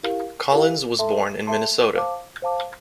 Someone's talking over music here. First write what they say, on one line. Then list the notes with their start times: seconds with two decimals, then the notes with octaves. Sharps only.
Collins was born in Minnesota.
0.03 E4 G4 A#4 F5
0.51 E4 G4 A#4 F5
0.99 A4 E5 A5 C6
1.47 A4 E5 A5 C6
1.94 C5 F5 A5 D6
2.42 C5 F5 A5 D6